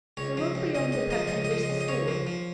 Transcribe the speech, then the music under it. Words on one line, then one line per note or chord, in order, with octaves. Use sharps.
The room beyond the pantry was the storeroom.
C#2 C#5
F3
C#2
C#2 D#5
C#2 D#5
F3 D#5
D#5
C#2
D#5
F3
D#5
C#2
D#5
C#2 C#5
F3
F3